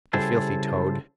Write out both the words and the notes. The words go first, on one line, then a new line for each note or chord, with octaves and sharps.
The filthy toad... .
C#3 G3 E4 G#4 A4 C5